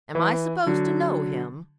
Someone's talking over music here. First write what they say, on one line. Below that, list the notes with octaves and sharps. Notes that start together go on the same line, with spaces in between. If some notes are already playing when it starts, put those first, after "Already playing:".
"Am I supposed to know him?"
E3
D3 F#3